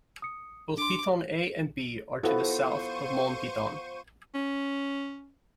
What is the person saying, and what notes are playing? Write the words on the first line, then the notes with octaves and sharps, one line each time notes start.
Both Piton A and B are to the south of Mons Piton.
D#6 C#7
D4 C6 D6
F3 B3 E4 F#4 A4 C5 C#6 D#7
C#4